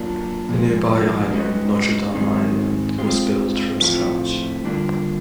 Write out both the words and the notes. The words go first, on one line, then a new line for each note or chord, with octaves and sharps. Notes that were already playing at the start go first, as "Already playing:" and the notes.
The nearby island, Notre Dame Island, was built from scratch.
Already playing: F#3 A#3 D4 F4
A#2 F3 G#3
G#3 C#4 F#4 B4 D#5
G#2 D#3 G#3 C4 D#4
G#3 C4 F4
A2 F3 A3 C4 F4
D3 G3 A#3 D4 F4